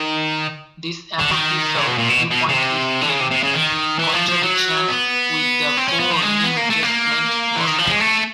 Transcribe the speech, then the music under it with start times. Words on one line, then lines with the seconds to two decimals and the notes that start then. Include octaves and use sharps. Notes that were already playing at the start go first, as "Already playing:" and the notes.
This apocryphal viewpoint is in contradiction with the four New Testament gospels.
Already playing: D#3
1.19 D3
1.30 D#3
1.75 C#3
1.86 B2
1.98 A#2
2.09 B2
2.31 B2
2.49 C#3
2.53 C3
3.01 D3
3.09 C#3
3.20 C3
3.31 C3
3.43 C#3
3.54 D#3
3.99 E3
4.13 F3
4.28 F3
4.43 F#3
4.88 B3
5.77 C4
5.88 C#4
6.00 B3
6.10 F3
6.22 G#3
6.44 B3
6.57 A#3
6.70 A3
6.83 A#3
7.56 E3
7.67 D#3
7.78 F3
7.84 G3
7.89 G#3
8.00 A3